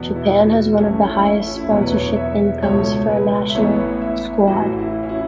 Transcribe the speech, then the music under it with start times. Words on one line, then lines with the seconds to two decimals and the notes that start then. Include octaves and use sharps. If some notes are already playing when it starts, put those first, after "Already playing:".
Japan has one of the highest sponsorship incomes for a national squad.
Already playing: E2 B2 B3
0.16 E4
0.46 F#4
0.77 A1 A2 A3 C#4
1.02 C#4
1.07 E4
1.39 E4
1.47 C#4
1.56 E4
1.70 E2 B2 F#3 B3 C#5
1.82 B4
1.96 C#5
2.16 E5
2.62 C#2 B2 A3 C#5
3.09 B4
3.50 E5
3.55 A1 A2 E3 B3 C#5
4.01 E5
4.47 A1 A2 E3 F#4
4.79 E4
5.03 C#4
5.09 E4